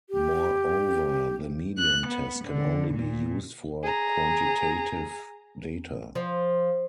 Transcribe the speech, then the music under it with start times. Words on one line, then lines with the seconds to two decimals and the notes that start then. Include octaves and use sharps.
Moreover, the median test can only be used for quantitative data.
0.10 G4
1.78 F#6
2.09 B3
2.45 D3
2.95 A#2
3.83 G#4 A#5
6.15 F3